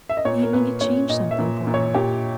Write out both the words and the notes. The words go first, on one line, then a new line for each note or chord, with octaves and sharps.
The evening had changed something for her.
E5
D#5
A#2 C#5
A#4
A#2 B4
A#2 C#5
A#2 D#5
E5
A#2
A#2
C#5
A#2 G4